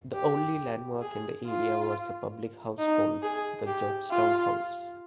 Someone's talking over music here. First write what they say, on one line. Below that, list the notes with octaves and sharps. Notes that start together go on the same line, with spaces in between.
The only landmark in the area was the public house called the Jobstown House.
G4
G#4
F4
D#4
G#4
G4
F4